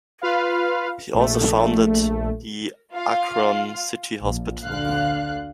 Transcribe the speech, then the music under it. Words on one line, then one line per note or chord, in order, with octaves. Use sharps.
He also founded the Akron City Hospital.
F4 B4 F5
A#1 A3
F4 F5
A#1
D2 D3 F5 F#6